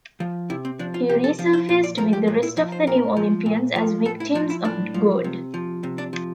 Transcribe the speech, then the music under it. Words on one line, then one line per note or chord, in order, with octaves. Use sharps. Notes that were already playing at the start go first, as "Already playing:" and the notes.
He resurfaced with the rest of the New Olympians as victims of Gog.
F3
C3 E4
C4
F3 D4
F4
C3 G4
A4
F3
C5
A#2 C5
D5
F3 A#4
G4
A#2
E4
F3 E4
C5
A#2 A#4
F3
A#2
F3
A2 A4
E4
F3 D4
E4
A2 D4
F3
C3
F3
C3
D4
F3